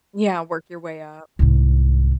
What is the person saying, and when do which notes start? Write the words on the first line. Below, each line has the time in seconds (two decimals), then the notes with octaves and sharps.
Yeah, work your way up.
1.39 C2 G#2